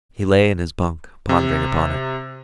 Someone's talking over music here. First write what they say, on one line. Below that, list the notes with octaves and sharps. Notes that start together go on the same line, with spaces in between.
He lay in his bunk pondering upon it.
C3